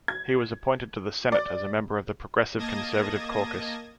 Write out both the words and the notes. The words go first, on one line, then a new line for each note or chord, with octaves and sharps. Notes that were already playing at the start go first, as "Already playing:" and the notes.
He was appointed to the Senate, as a member of the Progressive Conservative caucus.
G#6
D5
A#3 D#5 A5 D#6 G#6 A#6